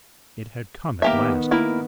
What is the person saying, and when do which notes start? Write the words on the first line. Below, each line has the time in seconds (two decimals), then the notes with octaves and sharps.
It had come at last.
1.02 D#3 A#3 B3 G4 E5
1.51 A#3 E4